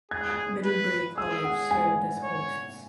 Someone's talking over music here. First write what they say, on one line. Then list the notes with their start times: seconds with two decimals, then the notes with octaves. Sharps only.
Middlebury College served as hosts.
0.11 G#4 G#6
0.21 F#6
0.30 G#6
0.65 B4
1.18 G#4 E6
1.45 F#5
1.71 G#5
2.24 C#5